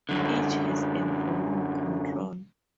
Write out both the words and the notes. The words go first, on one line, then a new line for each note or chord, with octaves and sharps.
Each has a volume control.
F#2 D3